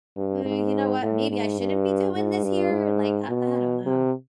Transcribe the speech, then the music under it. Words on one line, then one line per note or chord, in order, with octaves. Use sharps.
uh, "You know what? Maybe I shouldn't be doing this here?" Like, I I don't know.
G2
G#2
A2
G#2
G2
G#2
G2
G#2
B2
C3